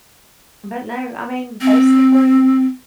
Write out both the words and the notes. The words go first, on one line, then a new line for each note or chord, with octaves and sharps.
But, no, I mean, basically,
C4